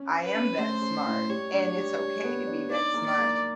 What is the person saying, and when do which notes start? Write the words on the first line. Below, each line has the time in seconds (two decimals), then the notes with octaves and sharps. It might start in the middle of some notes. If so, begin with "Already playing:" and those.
I am that smart, and it's okay to be that smart.
Already playing: C#4
0.11 C#4
0.23 B4
0.34 C#4
0.58 A3 C5
0.82 C#4
1.05 A2
1.29 G3 C#5
1.53 D4
1.76 G3
2.00 G3
2.23 B3
2.47 D4
2.71 D#4 D5
2.94 A#3
3.06 D5
3.18 A#3